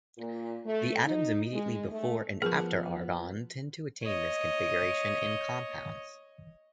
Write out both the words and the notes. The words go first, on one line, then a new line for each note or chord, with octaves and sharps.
The atoms immediately before and after argon tend to attain this configuration in compounds.
A#2
A3
D#4
G#3
A3
F3 B3 G#4 A#4
C#5 D#5